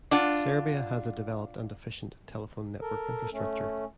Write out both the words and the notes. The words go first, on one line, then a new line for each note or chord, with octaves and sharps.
Serbia has a developed and efficient telephone network infrastructure.
D4 F4 F#5
A4 A#4
A3 C#4